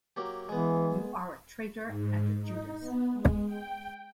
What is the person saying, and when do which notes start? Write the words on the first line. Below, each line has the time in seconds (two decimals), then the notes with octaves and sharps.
You are a traitor and a Judas.
0.16 F#3 A#3 G4
0.49 E3 G#3 B3
1.86 G#2
2.41 D#4
2.80 B3
3.13 G#3
3.46 G5